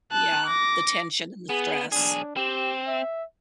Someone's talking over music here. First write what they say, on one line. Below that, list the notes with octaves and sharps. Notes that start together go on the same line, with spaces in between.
Yeah, the tension and the stress.
A5 F#6
D6 A#6
B3 G#4
B1 D4 G#4
C4 G4
E5